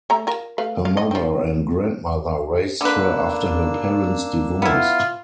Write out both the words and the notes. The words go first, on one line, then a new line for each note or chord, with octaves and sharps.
Her mother and grandmother raised her after her parents divorced.
A3 E5 A#5
F4 A#4
A3 B4 F5
F5
D#5
F3 C4
D3 A#3 D4 B4 E6
B3 E4 F4